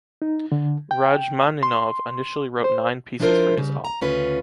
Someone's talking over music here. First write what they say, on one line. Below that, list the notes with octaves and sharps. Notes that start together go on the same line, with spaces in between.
Rajmáninov initially wrote nine pieces for his Op.
D#4
D3
G5
C6
C5
F3 D4 E4 F4 A#4 C5
C#3 G3
A#5
D2 C#3 C#4 F4 B4